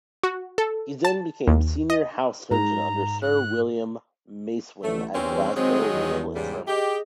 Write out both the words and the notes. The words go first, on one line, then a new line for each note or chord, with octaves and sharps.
He then became senior house surgeon under Sir William Macewen at Glasgow Royal Infirmary.
F#4
A4
A5
D#2
D#5
G#2 A#5
F#6
A1 D3 A3
E2 G2 C4 C#4
D#3 F#3 G#3 C4
E2
G#2 C#3 G3
G4 G#4 D#5